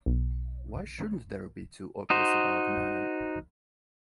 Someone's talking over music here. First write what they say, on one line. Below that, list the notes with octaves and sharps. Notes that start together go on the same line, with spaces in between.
Why shouldn't there be two operas about Manon?
B1
D#4 F#4 C5